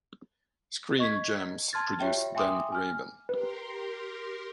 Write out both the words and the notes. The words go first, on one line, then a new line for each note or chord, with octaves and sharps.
Screen Gems produced "Dan Raven".
D#5 C#6 G#6 B6
A5 C6 F6 G#6 A6
F4 G4 C#5 E5 G5
E5 G5 G#5 C6 D6 D#6
G#5 F6
G4 A#4 B4 C6